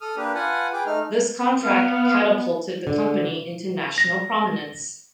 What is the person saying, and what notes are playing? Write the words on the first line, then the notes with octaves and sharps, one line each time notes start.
This contract catapulted the company into national prominence.
A4 D#6 F6
A#3 D4 G4 B4
F4 B4 F#5 G#5 A5
G#4 B4 G5 D6
A3 D#4 F6
B3 F5
D3
A#6